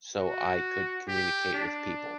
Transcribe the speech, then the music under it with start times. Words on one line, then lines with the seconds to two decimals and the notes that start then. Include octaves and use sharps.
So I could communicate with people.
0.15 F#4
1.08 G4
1.54 D4